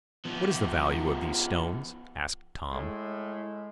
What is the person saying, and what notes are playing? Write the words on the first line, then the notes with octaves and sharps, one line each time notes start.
"What is the value of these stones?" asked Tom.
F3 B3
A2 G#3